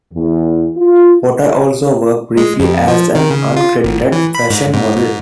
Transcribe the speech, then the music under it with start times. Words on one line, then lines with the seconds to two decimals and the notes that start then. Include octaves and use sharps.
Potter also worked briefly as an uncredited fashion model.
0.14 E2
0.77 F4
2.37 G#3
2.60 F2
2.88 F3
3.15 D#3
3.30 C#3
3.57 F4
3.84 G#1
4.12 E3
4.35 B5
4.50 G#2
4.74 G#2
4.96 G#2